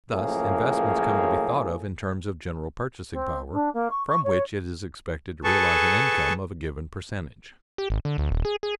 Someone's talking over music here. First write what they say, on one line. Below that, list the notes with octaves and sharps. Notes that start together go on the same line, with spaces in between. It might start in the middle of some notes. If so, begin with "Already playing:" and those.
Thus investments come to be thought of in terms of general purchasing power, from which it is expected to realize an income of a given percentage.
C#2 F#2 A2 F3 A#3 G#4
C4
D4
A#3
C#6
C#6
C#5
G#4 A4 B4 A5 C#6
G4
G#1
D3
D2
D#1
G#4
G#4